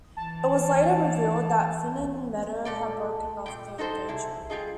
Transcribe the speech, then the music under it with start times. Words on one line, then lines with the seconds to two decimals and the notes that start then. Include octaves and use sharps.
It was later revealed that Finn and Meadow had broken off the engagement.
0.17 E3 A5
2.65 A#2 A4 D5
3.46 A#2 G5
3.78 D#4 F#4 A4 C5
4.08 C3 E4 G#4
4.50 G3 F4 G#4 D#5